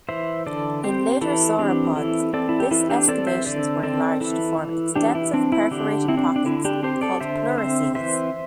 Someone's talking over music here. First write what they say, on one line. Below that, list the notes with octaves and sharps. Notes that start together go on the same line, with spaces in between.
In later sauropods, this excavations were enlarged to form extensive perforated pockets called pleurocoels.
E3 C5 E5
D3 A4 D5
C4 G4 C5
E3 E4 A4
C4 D4 G4
E3 E4 A4
C4 A4 D5
E4
G4
E3 E4 A4
D4 G4
C4 A4 D5
C5 E5
D3 A4 D5
C4 A4 D5
E3 E4 A4
E3
E3 D4 G4
E4
C4 D4
E4
D3 D4 G4
C4 E4
D4
D4
D3 E4
D4 G4
C4 G4 C5
A4 D5
D3 C5 E5
C4 C5 E5
E3 C5 E5